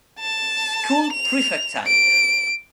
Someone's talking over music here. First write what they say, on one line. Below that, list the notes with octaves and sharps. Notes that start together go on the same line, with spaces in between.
School prefect type.
A5
F7
D7